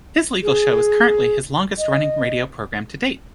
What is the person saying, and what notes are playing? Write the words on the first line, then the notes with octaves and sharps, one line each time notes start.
His legal show is currently his longest running radio program to date.
G#4
D#5